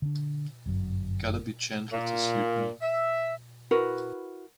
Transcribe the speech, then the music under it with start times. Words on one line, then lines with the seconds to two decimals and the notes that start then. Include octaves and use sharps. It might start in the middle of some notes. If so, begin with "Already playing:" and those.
Gotta be gentle to suit me.
0.02 D3 D4
0.66 G1 F#2 F#3
1.91 A#2
2.82 E5
3.71 E4 F#4 A#4 B4